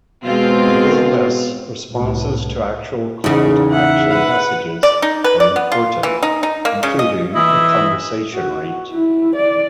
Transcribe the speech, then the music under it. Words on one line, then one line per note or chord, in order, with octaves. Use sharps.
Nevertheless, responses to actual call-to-action messages are important, including the conversion rate.
B2 G#3 C4 F4
C2 A2 A3 B3
E2 C#3 D#4
E5 F#5
B4 F#5
D5
D#4
B4
D5
B3
F4
E3
D#4
D#4
A#3
C#3
D#5
E3 E4 D#5 E5
F#4
E4
D5